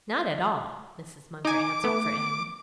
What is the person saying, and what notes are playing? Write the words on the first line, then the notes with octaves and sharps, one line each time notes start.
"Not at all!" Mrs. Munger answered for Annie.
D#4 G#5 D6
A3 B3